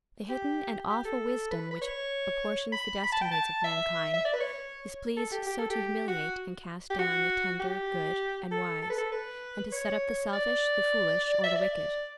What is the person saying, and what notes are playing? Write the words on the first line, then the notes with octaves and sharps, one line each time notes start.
The hidden and awful Wisdom which apportions the destinies of mankind is pleased so to humiliate and cast down the tender, good, and wise, and to set up the selfish, the foolish, or the wicked.
G4
G4
A4
B4
B4
C#5
B5
B5
A5
G5
A5
E5
E5
D5
B4
C#5
A4
G4
G4
A4
G4
F#4
G4
F#4
G4
A4
A4
B4
A4
B4
C#5
D5
E5
D5